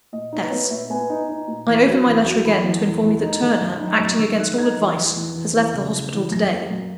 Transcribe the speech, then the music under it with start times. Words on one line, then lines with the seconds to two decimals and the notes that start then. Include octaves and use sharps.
S.--I open my letter again, to inform you that Turner, acting against all advice, has left the hospital to-day.
0.13 A#2 D#5
0.32 D#4
0.42 B4
0.51 B3 C#5
0.70 A#2 E5
0.90 B3 G#5
1.10 D#4
1.29 D#4
1.48 A#2
1.67 E2
1.86 F#3
2.06 E2
2.25 F#3
2.45 E2 B5
2.64 E2
2.83 E2
3.02 E2
3.22 D#4
3.42 D#3
3.61 F#2
3.80 D#4
4.00 F#2 C#6
4.19 D#3 E6
4.38 D#4 F#6
4.57 D#4 G#6
4.78 E2
4.97 E3
5.16 E2
5.35 E3
5.54 E2
5.73 C#3
5.94 C#3
6.13 E2
6.31 F#2 A#6
6.51 A#3
6.70 F#2